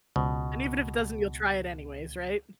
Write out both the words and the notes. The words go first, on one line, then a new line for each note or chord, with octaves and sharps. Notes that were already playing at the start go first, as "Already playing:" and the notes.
And even if it doesn't, you'll try it anyways, right?
C#2 B2